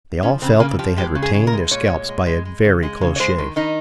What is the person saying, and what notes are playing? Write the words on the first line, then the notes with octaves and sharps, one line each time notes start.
They all felt that they had retained their scalps by a very close shave.
F3 C#4
C#3 C4
C#3 A#3
F3 G4
G#3 G4
C#3
G#4
C#3
A#4
G#3
A#2 C#5
G#3
G#3
G#3
G#3
C#3
G#3
C#3
C#5
G#3 C5
D#3
D#3 D#4